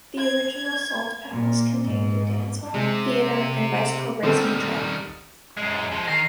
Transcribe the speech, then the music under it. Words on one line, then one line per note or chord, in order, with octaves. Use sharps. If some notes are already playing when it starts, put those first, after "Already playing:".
The original Salt Palace contained a dance hall, theater, and bicycle racing track.
G#6
A#2
G#2
C3 G#3
D3 D#3 G3 C4 A4
F#2 G#3
F3 G#3
D#3 A#6 C7